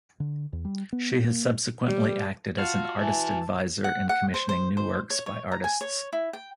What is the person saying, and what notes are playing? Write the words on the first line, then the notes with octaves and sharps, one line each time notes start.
She has subsequently acted as an artist advisor in commissioning new works by artists.
D3
E2
G3
B3
A#3
G3
F4 F#4 F5 A5 F6
E3 F#4 E5 G#5 A5
F#5
F#5
C5
C5
C5
C#5
C#5
A#5
G#5
C#5
E4
G5